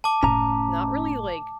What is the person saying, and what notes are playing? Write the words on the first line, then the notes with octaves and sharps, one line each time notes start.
not really, like,
A5 D6
F#1 A2 C#4 A#5